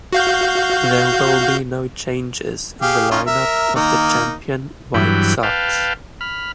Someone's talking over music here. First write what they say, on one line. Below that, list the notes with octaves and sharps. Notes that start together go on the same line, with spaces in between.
There will be no changes in the lineup of the Champion White Sox.
F#4 F5 G6
G4 G#4 F5
C#4 D#4 F4
A#4 E5
D#3 A#3 D#4
G2 E3 F#3 G5 B5
B4 F5 G5 A5
B5 F6